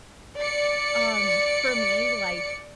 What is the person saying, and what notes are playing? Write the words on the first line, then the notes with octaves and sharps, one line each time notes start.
Um, for me, like,
D5 C#7